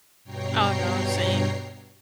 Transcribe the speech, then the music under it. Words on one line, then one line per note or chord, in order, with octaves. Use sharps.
Oh, no. Same.
G2 B2 C#5 G5 A#5 C7